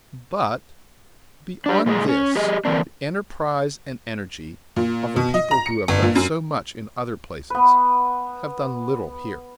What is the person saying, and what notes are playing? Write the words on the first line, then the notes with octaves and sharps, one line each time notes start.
But, beyond this, the enterprise and energy of a people who have done so much in other places have done little here.
D4 G4
A#2 G#3 G4 G#4
C#4
G4 G#4 D#5
D3 E3 A#3 C4 D4
A#2
B2
D#5
A#5
C#7
G1
A#2
F#2
B3 B4